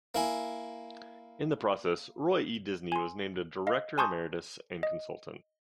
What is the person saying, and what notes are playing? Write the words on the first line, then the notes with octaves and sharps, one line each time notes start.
In the process, Roy E. Disney was named a Director Emeritus and Consultant.
A#3 E4 G#5
G#5 C6
D#5 F5
G#5 A5 C6 C#6 D#6 G6
D#5